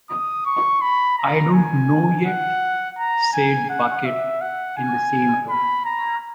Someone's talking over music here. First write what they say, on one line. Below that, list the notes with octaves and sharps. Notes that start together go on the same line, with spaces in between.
"I don't know yet," said Bucket in the same tone.
D#6
C#6
B5
A#5
G#5
F#5
A#5
G#5
F#5
E5
F#5
G#5
B5
A#5